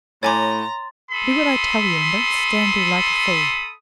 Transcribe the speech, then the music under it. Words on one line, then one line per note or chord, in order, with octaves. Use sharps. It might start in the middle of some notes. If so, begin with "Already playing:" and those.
"Do what I tell you, and don't stand there like a fool."
A2 C#5 G#5 A#5 C6 D6 A6
A4 B5 C6 D#6